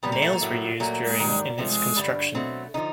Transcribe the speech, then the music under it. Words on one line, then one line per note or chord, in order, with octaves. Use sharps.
Nails were used during in its construction.
A#2 G3 B3
A#3
A3
A#3
A2 F#3 A3
A#2 F#3 A3 A#3
G#2 D#3 G3
C3 F3 A3
G2 D3 G3
B2 F#3 A3 C4
D3 F3 D#4